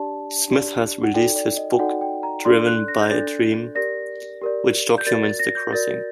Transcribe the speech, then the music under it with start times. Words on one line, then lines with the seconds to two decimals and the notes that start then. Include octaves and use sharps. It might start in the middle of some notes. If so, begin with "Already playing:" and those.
Smith has released his book, "Driven by a Dream", which documents the crossing.
Already playing: D4 G4 D5 A5
0.48 D4 G4 D5
1.03 F#5
1.14 D#4 F#4 A4 D5 G5
1.36 D5
1.57 D#5
1.72 G5
1.79 D#4 F#4 A4 D5 F#5
2.01 G5
2.23 A#5
2.45 D4 A4 D5 C6
2.67 F#6
2.88 A#6
3.01 G6
3.10 D4 A4 D5 A6
3.75 G4 A#4 D5 A#6
4.41 G4 A#4 D5
4.98 G6
5.06 F#4 A#4 D5 A6
5.23 A6
5.39 A#6
5.55 G6
5.72 F#4 A#4 D5 A6